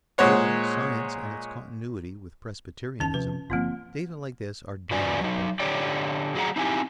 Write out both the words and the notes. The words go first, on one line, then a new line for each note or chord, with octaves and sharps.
Or Science and its continuity with Presbyterianism--data like this are damned at birth.
A#2 G#3 C5 C#5 F#5
F#1 D#2 D#3 C#4 A5
C3 F3 B4
G1 F3 A#3 C4 F4
G#2 D3 F#4 B4 D5 G#5
F#3 D#4
D3 G4 C#5 D5 G5
F#3 G#4 F#5 A#5
C4 D#4 E4 G4 G#5